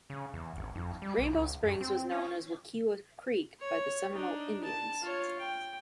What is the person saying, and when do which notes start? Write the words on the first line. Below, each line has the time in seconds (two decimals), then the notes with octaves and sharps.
Rainbow Springs was known as Wekiwa Creek by the Seminole Indians.
0.10 C#3
0.33 E2
0.57 G#1
0.75 F2
1.02 G3
1.18 B1
1.32 C#2
1.63 F#2
1.81 C4
2.11 C#4
3.59 C#5
4.13 D4 D#4
4.64 A5
5.01 F4 C#5
5.39 G5